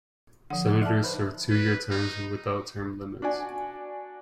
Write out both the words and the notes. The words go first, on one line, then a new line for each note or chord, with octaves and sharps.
Senators serve two-year terms, without term limits.
D3 F3 F#5
D5 E5 A5 F6 F#6
D#4 B4 C5
B4
D#4
D4 F#4 D5 G#5